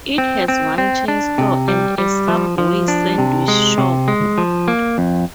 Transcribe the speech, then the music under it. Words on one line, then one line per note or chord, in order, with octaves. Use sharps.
It has one chain store and a Subway Sandwich shop.
C4
C4
C4
D4
C3
G3
G3
F3
F3
D4
C3
G#3
C3
G#3
F3
A#3
F2